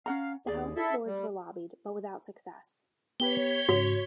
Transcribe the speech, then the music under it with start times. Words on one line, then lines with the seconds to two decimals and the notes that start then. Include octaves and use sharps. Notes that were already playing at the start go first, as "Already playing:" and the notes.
The House of Lords were lobbied, but without success.
0.06 C#4 F5 F#5 A#5
0.47 D#2 G#4 D5
0.76 E4 A4 E5
1.07 G3
3.20 B3 G4 B4 C#5 G#6 B6 G7
3.69 G#2 C#3 F#4